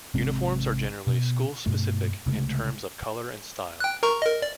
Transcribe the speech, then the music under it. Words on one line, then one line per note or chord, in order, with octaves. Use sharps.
Uniforms are generally school-specific in terms of colour and style.
G#1 C3 G#3 C4
B2
G2 B2 A3
C2 C#3 G#3 A3
G5 F#6
A#4 A#5 C#6
A#4 D#5
D5